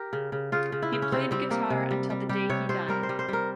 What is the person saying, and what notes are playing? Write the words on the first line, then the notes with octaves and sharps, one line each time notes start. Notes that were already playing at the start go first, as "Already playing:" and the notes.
He played guitar until the day he died.
Already playing: G4 A#4
C#3
C#3
C#3 F4
C#3
E4
C#3
C#4
C3 C4
G3 C4
G3 A#3
C3
G3
G3
G3 G4
C3 C#5
C3 C5
G3 A#4
C5
G3
C5
G3 A#4